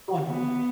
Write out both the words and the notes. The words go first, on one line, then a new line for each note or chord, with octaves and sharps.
Go on ahead.
B3